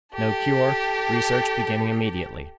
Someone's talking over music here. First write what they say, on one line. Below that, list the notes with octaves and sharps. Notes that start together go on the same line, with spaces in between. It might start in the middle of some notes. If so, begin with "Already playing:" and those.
No cure, research beginning immediately.
G4 A4